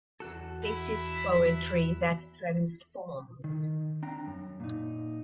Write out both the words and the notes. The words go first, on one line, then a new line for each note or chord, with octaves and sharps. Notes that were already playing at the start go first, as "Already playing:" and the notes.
This is poetry that transforms.
E2 F#4 A4
E4 E5
D#3
C4 D4 G5 A#5
F#2
A#2 D#4